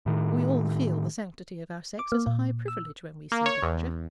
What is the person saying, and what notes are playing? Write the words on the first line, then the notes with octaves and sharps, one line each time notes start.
We all feel the sanctity of our sex as a high privilege when we see danger.
A2 D#3
D6
A#3
A#2
E6
A#3
C#5
E2